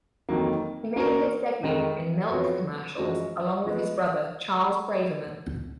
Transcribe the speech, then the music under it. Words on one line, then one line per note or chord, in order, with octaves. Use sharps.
He made his debut in milk commercials along with his brother Charles Braverman.
F2 D#3 F#3 A#3
A#3 C#4 F#4 A#4
F2 D#3 G#3 D#4 A#4
F2 F3 B3 F#4 C#5
F#2 F3 G#3 C#4 F#4
F3 G#3 B3